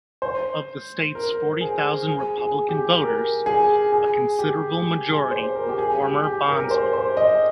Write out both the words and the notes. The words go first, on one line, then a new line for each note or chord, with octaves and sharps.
Of the state's forty thousand Republicans voters, a considerable majority were former bondsmen.
C5
A#4
G#4
G#4
G#4
G4
A#4
G#4
G#4
G4
G#4
C5
A#4
G4
G#4
G4
G4
A#4
A#4
C5
C5
D#5